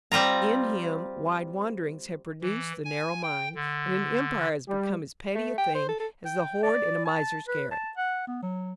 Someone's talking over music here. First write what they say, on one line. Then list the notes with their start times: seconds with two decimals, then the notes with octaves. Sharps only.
In him, wide wanderings have produced the narrow mind, and an Empire has become as petty a thing as the hoard in a miser's garret.
0.12 G3 C4 F4 A#5
2.42 E3
2.85 G#5
3.23 G5
3.55 D3
4.68 G3
5.35 A3
5.58 G5
5.75 C5
5.88 A4
6.00 A4
6.25 G5
6.63 D5
7.05 A5
7.48 B4
7.71 A5
7.96 F#5
8.27 B3
8.42 F#3